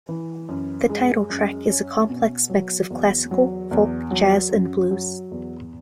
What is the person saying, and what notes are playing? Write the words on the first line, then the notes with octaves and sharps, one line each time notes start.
The title track is a complex mix of classical, folk, jazz and blues.
E3
F#2
G#3
F#2
C#4
B2
F#3
E2
F#3
E2
F#3
F#2
F#3
E2